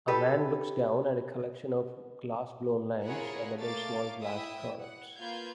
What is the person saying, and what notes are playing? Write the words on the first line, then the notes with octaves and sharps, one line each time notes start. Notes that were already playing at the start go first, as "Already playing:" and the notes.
A man looks down at a collection of glassblown lamps and other small glass products.
G4 A4 B4
E4 F4 G#4 A#4 C#5 F#5
A3 A#3 F5 D6 A6
E4 E5 G5 D#6
F#5
A#3 F4 B4 F5 G6 G#6